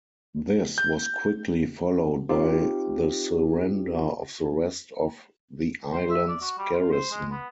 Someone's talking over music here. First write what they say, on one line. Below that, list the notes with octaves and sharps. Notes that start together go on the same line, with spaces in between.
This was quickly followed by the surrender of the rest of the island's garrison.
G6
C4 D#4 F4 G4
C5
E5
D5
F#4
G3
F4
C5
G#3
B3